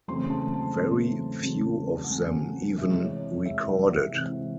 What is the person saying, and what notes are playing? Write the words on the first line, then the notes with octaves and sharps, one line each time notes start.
Very few of them even recorded.
E2 C#3 F#3 A3 C4 C6
A5
A5
E2 C#3 F#3 A3 C4
E2 C#3 F#3 A3 C4
F#5
E2 C#3 F#3 A3 C4 G#5
F#5
C3 E3 G#3 E5
C#5
C3 E3 G#3 E5
F#5
E5
C3 E3 G#3